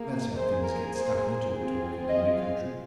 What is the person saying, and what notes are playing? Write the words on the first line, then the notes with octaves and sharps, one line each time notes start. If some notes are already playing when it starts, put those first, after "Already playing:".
That's how things get stuck into the talk in a new country.
Already playing: A#3 G#4
A#3 G#4 C5
A#4
C5
C4 F4 G#4
D#5
F5